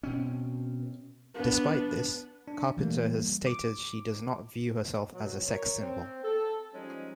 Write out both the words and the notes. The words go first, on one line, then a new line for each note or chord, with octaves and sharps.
Despite this, Carpenter has stated she does not view herself as a sex symbol.
B2 C4 C#4
B3 D4
D4
E3 G3 A3 A#3
D6
B2 F#3
A#4 C#5
C4
A4
F3 G3 G#3 C#4 D#4